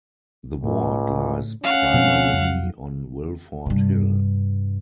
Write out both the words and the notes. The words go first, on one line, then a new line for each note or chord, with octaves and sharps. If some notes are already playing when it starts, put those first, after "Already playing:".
The ward lies primarily on Wilford Hill.
C#2 A2
C#4 F5 F#5
B2 F3 C4
F2 F#3
G2 C3